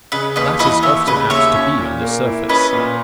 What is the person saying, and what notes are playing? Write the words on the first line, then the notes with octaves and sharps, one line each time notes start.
That is often apt to be on the surface.
C#3 B4 D#5
D#2 B4 D#5
E3 B4 D#5
D#2 C#5 E5
C#3 B4 D#5
D#2 C#5 E5
C#4
A#2
A#3
E4
C#4 B4 D#5
A#2